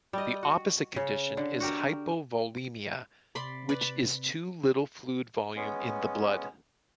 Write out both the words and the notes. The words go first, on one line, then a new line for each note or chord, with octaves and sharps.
The opposite condition is hypovolemia, which is too little fluid volume in the blood.
G3 D#5
F#4
C#3
D3
F#4 G4 A#4
C3 D5 B5 C6
B4 D5
B5
G#3 B3 C#4